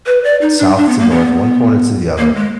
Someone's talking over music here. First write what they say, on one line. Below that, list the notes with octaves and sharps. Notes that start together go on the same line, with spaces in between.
south to north, one corner to the other
B4
D5
D#4
D4
D4
B3
A#3
B3
A#3
G#3